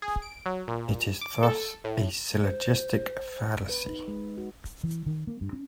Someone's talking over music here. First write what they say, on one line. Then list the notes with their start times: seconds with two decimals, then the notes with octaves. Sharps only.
It is thus a syllogistic fallacy.
0.02 G#4
0.22 D7
0.46 F#3
0.68 A#2
1.21 D6
1.43 A4
1.84 A2
2.41 C5
3.69 B4
3.88 D#4
4.08 G#3
4.38 F#4
4.84 E3
5.06 D#3
5.27 A#3
5.41 G2
5.53 C#4